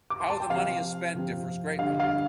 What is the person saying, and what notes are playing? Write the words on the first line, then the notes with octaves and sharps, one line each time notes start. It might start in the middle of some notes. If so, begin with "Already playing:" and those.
How the money is spent differs greatly.
D6
C6
A5
G5
C3 F3 C4 F5
C3 F3 C4
D3 G3 D4 F5
F5